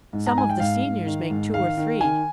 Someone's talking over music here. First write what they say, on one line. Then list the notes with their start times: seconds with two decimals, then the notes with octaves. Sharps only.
Some of the seniors make two or three.
0.13 G#2
0.27 A#5
0.37 G#2 G#5
0.50 G5
0.60 G#2 F5
0.84 G#2
1.06 D#3
1.30 G#2
1.54 D#3 F5
1.78 D#3
2.00 D#3 G#5